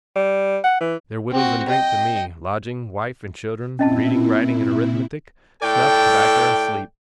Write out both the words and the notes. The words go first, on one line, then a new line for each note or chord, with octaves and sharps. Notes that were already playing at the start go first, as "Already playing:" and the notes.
They're wittles and drink to me--lodging, wife, and children--reading, writing, and Arithmetic--snuff, tobacker, and sleep.'
G3
F#5
E3
C4 F#4
D#5 G5
A#2 C4 C#4 E4 D#5 A5
A2 A4 D5 G5